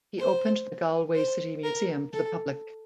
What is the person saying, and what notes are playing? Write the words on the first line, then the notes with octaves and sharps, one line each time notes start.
He opened the Galway City Museum to the public.
C5
C5
A#4
A4